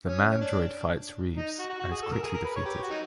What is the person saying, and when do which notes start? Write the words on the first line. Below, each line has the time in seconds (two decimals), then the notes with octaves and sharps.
The Mandroid fights Reeves and is quickly defeated.
0.08 C#4
0.30 C#4
0.41 D4
1.37 D#4
1.60 F#4
1.70 F#4
1.80 F#4
1.91 G#4
2.03 A4
2.12 A#4
2.23 G#4
2.34 A#4
2.45 B4
2.56 C#5
2.66 G4
2.83 F#4
2.91 D#4